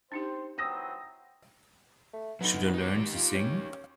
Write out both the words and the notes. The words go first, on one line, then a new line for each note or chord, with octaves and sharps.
Should I learn to sing?
C4 D4 D#4 G4 C5
E3 F#3 C4 D#6 E6 A#6
A3
F#3 B3 D#4
D#4 G4
F4
C#4